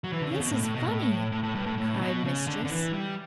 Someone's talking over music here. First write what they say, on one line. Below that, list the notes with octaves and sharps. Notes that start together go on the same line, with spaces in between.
"This is funny!" cried Mistress.
F#3
E3
D3
C#3
B2
A2
A2
B2
A2
A2
A2
G2
A2
A2
C#3
B2
C#3
D3
D3
E3
G3